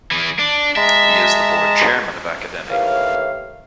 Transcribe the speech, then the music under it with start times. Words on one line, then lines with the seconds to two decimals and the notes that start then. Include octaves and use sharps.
He is the board chairman of Academi.
0.11 E3 G#4
0.39 D4
0.76 G#3 E5 A5 A#5
2.69 D#2 A2 E3 F5